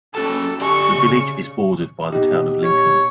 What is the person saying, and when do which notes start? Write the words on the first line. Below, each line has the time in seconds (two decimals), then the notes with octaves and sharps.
The village is bordered by the Town of Lincoln.
0.15 C#4 F#4 A4 A5
0.61 G4 D5 G#5 C#6
0.98 C#3
2.12 B2 D#4 G4
2.64 C#5